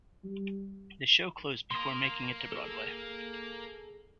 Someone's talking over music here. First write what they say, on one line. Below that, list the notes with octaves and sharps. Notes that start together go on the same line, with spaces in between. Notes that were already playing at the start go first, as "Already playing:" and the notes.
The show closed before making it to Broadway.
G3
A#3 A#4 C6 D#6
G#4 A4